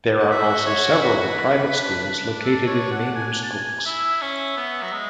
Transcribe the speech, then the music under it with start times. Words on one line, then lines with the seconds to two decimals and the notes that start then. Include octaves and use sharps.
There are also several private schools located in Meiners Oaks.
0.20 F#5
0.31 F#4 E5
0.67 C#5
1.02 B4
1.73 D4
2.44 A4
2.67 C#5
2.91 F#5
3.15 G#5
3.43 A5
3.51 G#5
3.86 E4 E5
4.22 C#4
4.57 B3
4.82 F#3
4.93 G#3